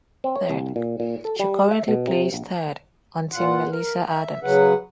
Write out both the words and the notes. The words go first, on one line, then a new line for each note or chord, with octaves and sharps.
She currently plays third on Team Melissa Adams.
C4
C#5
C2
A#2
A#2
A4
G3
E5
B2
C3
A#1
A#2 F4 F#5
A#4
E5
C#3 F#3 B4 F#5